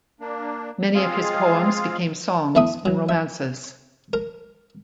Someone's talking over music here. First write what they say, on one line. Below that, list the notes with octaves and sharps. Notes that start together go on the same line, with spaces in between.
Many of his poems became songs and romances.
A#3 D4
G#3 C4 F4 G#4 F5
E2 A3 E4 E5 D#6
F#3
E5
A#4